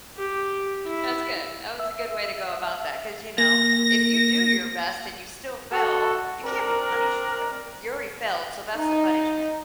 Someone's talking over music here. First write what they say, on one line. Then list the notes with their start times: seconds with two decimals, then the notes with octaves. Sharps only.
That's good. That was a good way to go about that 'cause, you know, if you do your best and you still fail, you can't be punished for it. You already failed, so that's the punishment.
0.17 G4
0.87 E4
1.80 E5
3.38 A#3 A#6
5.71 F#4 A4
6.44 C4 D4 A#4
8.75 D#4